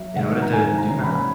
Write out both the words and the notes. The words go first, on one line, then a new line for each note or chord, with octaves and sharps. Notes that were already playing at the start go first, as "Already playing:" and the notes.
in order to do math.
Already playing: F#3 E5
D#3 F#5
A#5
G#2 G#5
A#5
C#4
B5